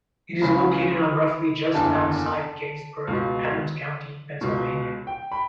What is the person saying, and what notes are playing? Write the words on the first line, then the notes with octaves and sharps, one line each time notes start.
It is located on roughly just outside Gettysburg, Adams County, Pennsylvania.
C#2 C#3 E3 B5
F#1 E2 D3 A5
C#2 B2
C#2 B2
G5
B5